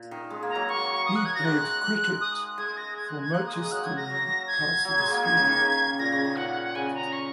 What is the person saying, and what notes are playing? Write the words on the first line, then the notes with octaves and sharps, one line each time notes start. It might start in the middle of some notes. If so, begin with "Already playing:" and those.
He played cricket for Merchiston Castle School.
Already playing: A#2
D#3
G#3
A#3
A#5
F#3
A#3 C#6
D#6
F#6
G#6
F#3 A#6
G#3 F#6
G#3
D#6
G#3 G#6
A#6
G#6
F#6
G#6
A#3 F#6
D#6
G#3
D#6
F#3 F#6
G#6
A#6
F#3
G#6
F#3
G#3
A#3
D#3 G#6
C#3
D#3
C#3
A#2 A#6
C#3
G#6
D#3
A#2 F#5
F#5
F#5
C#3 G#5
A#5
C#6